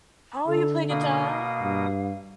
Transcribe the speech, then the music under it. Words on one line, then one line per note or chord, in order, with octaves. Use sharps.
Oh, you play guitar?
D3 A4
B2 A#3 F5 D#6
G2